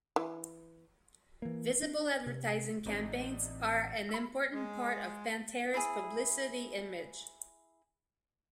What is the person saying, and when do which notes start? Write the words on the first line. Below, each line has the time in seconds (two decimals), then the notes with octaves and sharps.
Visible advertising campaigns are an important part of Pantteri's publicity image.
0.16 E3
1.42 E3 A#3
1.83 D4
2.26 C3
2.86 A1 C3 D4 D#4
4.09 B5 E6
4.52 G#3
5.74 E4 G#4